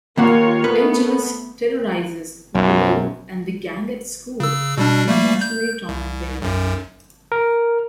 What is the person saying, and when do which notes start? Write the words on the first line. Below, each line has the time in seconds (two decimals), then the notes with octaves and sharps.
Angelus terrorizes Willow and the Gang at school, emotionally tormenting Buffy.
0.17 D#2 A#3 F4 A#4 C#5 F#5
0.64 A3 B3 A#4 B4
2.55 B1 F#2
4.40 C#3 E6
4.77 B2 G3 D4
5.07 G3 A3 A#3
5.41 G6
5.89 C2
6.42 B1 F#2
7.32 A#4